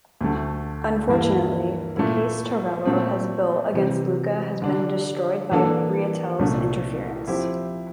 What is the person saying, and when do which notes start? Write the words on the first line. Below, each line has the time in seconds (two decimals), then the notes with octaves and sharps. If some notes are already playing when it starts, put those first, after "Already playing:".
Unfortunately, the case Torello has built against Luca has been destroyed by Breitel's interference.
0.21 D2 D3 A3
1.08 G2 E3 A#3 E4
1.97 A#2 A3 E4
2.85 A#2 A3 C4
3.74 C3 E3 G3 C4
4.62 D3 G3 D4
5.51 E3 A#3 D4 A4
6.39 C2 A#2 A3 D4
7.27 F3 C4 E4 G4 C5